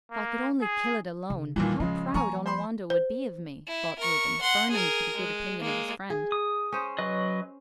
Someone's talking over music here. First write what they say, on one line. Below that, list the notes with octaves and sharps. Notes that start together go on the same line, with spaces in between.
"If I could only kill it alone, how proud Onawandah would be of me," thought Reuben, burning for the good opinion of his friend.
A#3
G#4
C#3
D#2 A#2 E3 G3
C#3 F3 G#3
F3 A#3 G#5 A#5 C#6
C5 B5 C6
C5
E4
A#4 C#6
F#5 C6
G#4 A#4
G#3
G#3 A#3
G#4
D#6
C#4 C5
F#3 B4 D#5